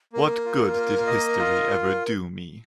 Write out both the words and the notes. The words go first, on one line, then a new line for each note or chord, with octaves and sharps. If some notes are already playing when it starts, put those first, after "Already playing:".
What good did history ever do me?
A#3 A#4
F4
A#3
D#5
F4